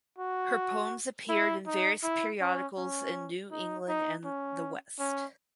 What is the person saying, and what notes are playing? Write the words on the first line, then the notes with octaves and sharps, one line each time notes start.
Her poems appeared in various periodicals in New England and the West.
F#4
E4
D#4
E4
C#4
C#4
D#4
D#4
C#4
C#4